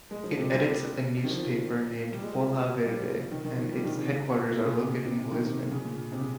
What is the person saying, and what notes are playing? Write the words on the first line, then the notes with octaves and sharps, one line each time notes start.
It edits a newspaper named "Folha Verde" and its headquarters are located in Lisbon.
G#3
F3
C3
G3
D#3
F3
G3
G#3
G3
G3
F3
D#3
D#3
F3
G3
D#3
C#3
C3
A#2
C#3
C3
C3
C3
D#3
C3
C3
C#3
A#2
C3
C#3